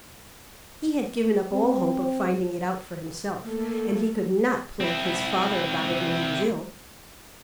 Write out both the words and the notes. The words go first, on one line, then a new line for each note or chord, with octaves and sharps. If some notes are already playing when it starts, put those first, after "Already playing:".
He had given up all hope of finding it out for himself, and he could not plague his father about it when he was ill.
C4
A3 A#3 A4
C4 E4